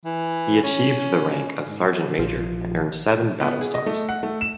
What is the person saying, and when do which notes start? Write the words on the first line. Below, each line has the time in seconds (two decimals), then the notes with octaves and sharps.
He achieved the rank of Sergeant Major and earned seven battle stars.
0.05 E3
0.63 C#4
1.65 G#2
2.19 A#1 F3
3.40 B3
3.61 G#4
3.74 D#5
3.86 A3
4.09 F#5
4.23 A3
4.41 E7